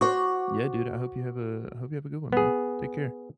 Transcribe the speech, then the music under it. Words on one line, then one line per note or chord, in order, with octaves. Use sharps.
Yeah, dude, I hope you have a I hope you have a good one, man. Take care.
F#4 C5 F#5 C#6 D6
B3 G#4